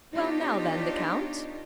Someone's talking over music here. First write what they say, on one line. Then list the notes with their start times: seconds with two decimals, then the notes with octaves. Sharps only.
"Well, now then, the count?"
0.13 B3 D4 D#4 F4 G4 C#5